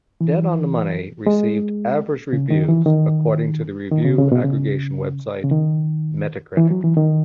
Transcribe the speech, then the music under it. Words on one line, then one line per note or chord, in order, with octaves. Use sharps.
"Dead on the Money" received "average" reviews according to the review aggregation website Metacritic.
E3
G#3
C#3
D#3
E3
D#3
D#3
C#3
C#3
B2
C#3
C#3
D#3
E3
F#3
E3
D#3